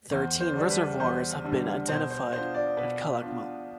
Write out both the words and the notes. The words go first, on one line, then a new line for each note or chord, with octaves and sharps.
Thirteen reservoirs have been identified at Calakmul.
E2 C5
C5
D3 G3 D4
B4
E2 C5
D3 G3 D4
B2 C5
C5
B3 D4 F4 C5
D5
B2 B4
B3 D4 F4